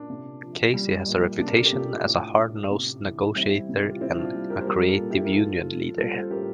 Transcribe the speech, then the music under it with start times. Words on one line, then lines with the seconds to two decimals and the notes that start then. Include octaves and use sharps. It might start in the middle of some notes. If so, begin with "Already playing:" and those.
Casey has a reputation as a hard-nosed negotiator and a creative union leader.
Already playing: A#2 D4
0.10 C3
0.42 F3
0.74 G3
1.07 A#2
1.39 C3 D4
1.49 A#4
1.57 A4
1.65 G4
1.72 C3 D4 F4
2.05 A2
2.37 A2
2.71 C3
3.04 E3
3.35 G3 C4 E4
3.69 C3
3.82 G4
3.91 F4
4.01 G3 C4 E4
4.18 D4 F4
4.34 G3
4.50 G4 A#4
4.61 C5
4.67 G3 G4 A#4
4.88 F4 A4
4.99 A#2
5.10 E4 G4
5.25 A#4
5.32 F3 F4 A4
5.65 F3
5.97 G3 F4 A4
6.14 A4 C5
6.30 A2 G4 A#4